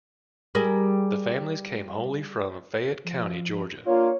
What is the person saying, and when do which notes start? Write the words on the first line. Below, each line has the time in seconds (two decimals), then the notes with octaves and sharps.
The families came wholly from Fayette County, Georgia.
0.55 G3 G#4 A#4
3.05 F3
3.86 A#3 D4 F4 C#5